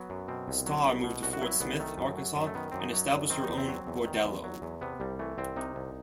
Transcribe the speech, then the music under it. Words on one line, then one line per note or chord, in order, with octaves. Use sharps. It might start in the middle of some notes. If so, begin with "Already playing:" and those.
Starr moved to Fort Smith, Arkansas and established her own bordello.
Already playing: F#3 B3
F#2
B2 C4
C2
F#3
C2
B2
C2 F#4
F#4
F#3 E4
C2 B3
D#3 A3
F#2
F#3
F#2
A3
D#3 B3
F#2 C4
D#4
F#3
F#2
D#3 C4
E2 D#4
C4
F#3
E2
D#3
E2
F#3
E2
C3 B3
C2 G3
E3 A3
C2 C4
C3 D#4
C2